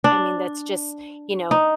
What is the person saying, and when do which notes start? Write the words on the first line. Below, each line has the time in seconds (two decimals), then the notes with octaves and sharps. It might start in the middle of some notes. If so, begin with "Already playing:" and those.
I mean that's just, you know,
0.04 D4
1.51 D#4